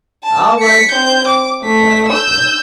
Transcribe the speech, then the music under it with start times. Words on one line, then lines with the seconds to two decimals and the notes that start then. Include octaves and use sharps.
"All right," replied Osborne.
0.24 A5
0.60 B6 C#7
0.91 C4 G6
1.28 D6
1.63 A3 B6
2.09 E6 G6